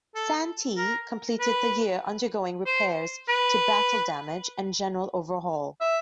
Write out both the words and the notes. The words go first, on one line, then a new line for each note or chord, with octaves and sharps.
"Santee" completed the year undergoing repairs to battle damage and general overhaul.
A4
A#4
B4
C5
B4
E5